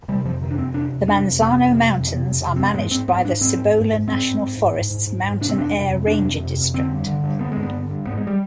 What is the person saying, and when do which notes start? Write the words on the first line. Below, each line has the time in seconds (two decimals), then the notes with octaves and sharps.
The Manzano Mountains are managed by the Cibola National Forest's Mountainair Ranger District.
0.08 C3 G3
0.25 F2 F3
0.41 C3 D#3
0.51 D4
0.58 F2 C4
0.74 C3 D4
0.91 F2
1.08 C3 D4
1.25 F2
1.41 C3 B3
1.58 F2
1.75 C3
1.91 F2
2.08 C3
2.25 F2
2.41 C3
2.56 F2 C4
2.65 B3
2.74 G#2 G#3
2.91 G#2 C4
3.08 G#2 B3
3.24 G#2 D4
3.41 G#2 C4
3.58 G#2
3.74 G#2
3.91 G#2
4.07 G#2 C4
4.24 G#2
4.40 G#2
4.57 G#2
4.74 G#2
4.91 G#2
5.07 G#2
5.23 G#2
5.41 C3 D4
5.49 C4
5.58 F2 D4
5.74 C3
5.91 F2
6.07 C3 D4
6.24 F2
6.40 C3
6.57 F2
6.74 D3 C4
6.90 G2
7.07 D3
7.24 G2
7.41 D3 B3
7.52 G#3
7.57 G2
7.63 B3
7.73 D3
7.90 G2
8.07 G#2 B3
8.17 G#3
8.27 G3